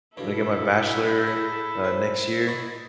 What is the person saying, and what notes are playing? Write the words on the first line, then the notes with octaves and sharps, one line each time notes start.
I'm gonna get my bachelor, uh, next year
B1 G2 B2 E4 A4
G#4
C4
D#5 B5 C#6